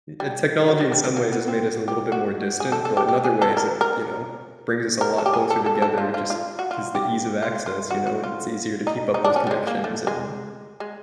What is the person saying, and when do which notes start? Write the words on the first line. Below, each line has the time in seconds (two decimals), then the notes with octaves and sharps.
eh, technology in some ways has made us a little bit more distant, but in other ways it, you know, brings us a lot closer together just 'cause the ease of access, you know, it's easier to keep up those connections, and
0.20 G3
0.68 F#3
0.81 G3
0.92 G3
1.04 A3
1.17 A#3
1.32 B3
1.48 C4
1.88 G4
2.12 F#4
2.60 G#4
2.72 A4
2.85 A4
2.97 G4
3.08 G4
3.24 G#4
3.42 A4
3.57 A#4
3.81 A#4
5.01 A#4
5.18 A4
5.26 G4
5.33 G#4
5.50 A4
5.66 A4
5.82 A4
5.98 F4
6.14 F4
6.30 F4
6.59 F#4
6.71 F4
6.95 G4
7.42 F4
7.66 F4
7.91 F#4
8.07 F#4
8.24 F4
8.87 D#4
9.14 D#4
9.25 D4
9.36 C#4
9.47 G3
9.51 G#3
9.67 A#3
9.84 A3
10.07 G#3
10.80 G#3